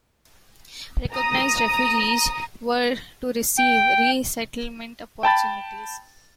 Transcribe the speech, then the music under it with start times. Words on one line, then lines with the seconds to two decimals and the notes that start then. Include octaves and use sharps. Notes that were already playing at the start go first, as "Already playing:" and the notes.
Recognized refugees were to receive resettlement opportunities.
1.13 A#5 D#6
3.58 G5
5.23 G5 A5 B5 A6